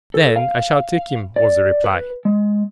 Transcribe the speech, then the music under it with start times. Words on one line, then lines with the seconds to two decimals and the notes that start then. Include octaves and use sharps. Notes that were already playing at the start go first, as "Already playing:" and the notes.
"Then I shall take him," was the reply.
0.14 A4
0.36 F5
1.36 D5
1.84 B4
2.25 G#3